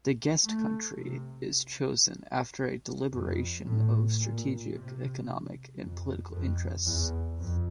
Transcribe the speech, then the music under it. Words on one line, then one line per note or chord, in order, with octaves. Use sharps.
The guest country is chosen after a deliberation of strategic, economic and political interests.
A3
C3
F2
A2
A#2
C3
F2
F2
E2
F2